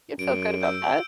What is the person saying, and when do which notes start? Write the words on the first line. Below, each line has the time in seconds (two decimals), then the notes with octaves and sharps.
You feel good about that?
0.19 F#2 D7
0.61 E6 G6 D7